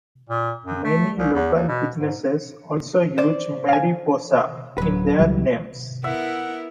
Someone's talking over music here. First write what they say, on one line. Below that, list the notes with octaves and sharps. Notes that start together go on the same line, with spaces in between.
Many local businesses also use "Mariposa" in their names.
A#2
F#2
A3
C2
E2
D#2
B2
G#2
C5 D5
F5 G#5
D1 F#3 B4
C#2 E3 G3
B3 E4 A#4 E5 F#5